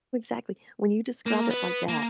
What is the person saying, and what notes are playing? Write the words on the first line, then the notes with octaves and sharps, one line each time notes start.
exactly. When you describe it like that,
A#3
B3
A#3